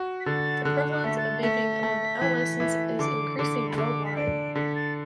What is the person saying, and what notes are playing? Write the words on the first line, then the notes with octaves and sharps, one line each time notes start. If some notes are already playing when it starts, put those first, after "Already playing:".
The prevalence of vaping among adolescents is increasing worldwide.
Already playing: F#4
B6
D3 A6
D3 F#6
F#6
A3 B6
A6
A3 B6
A3
E3
E3
D3 D6
D3 D6
B5
D3 D6
B6
D4 D7
D3 B6
A6